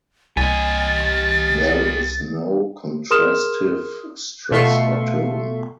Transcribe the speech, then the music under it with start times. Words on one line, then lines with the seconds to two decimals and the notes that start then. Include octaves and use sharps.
There is no contrastive stress or tone.
0.37 C2 G4 D#5 G#5 A6
3.10 G#4 A#4 C6 D#6 F6 E7
4.51 B2 A3 F4 E5 C6 C#6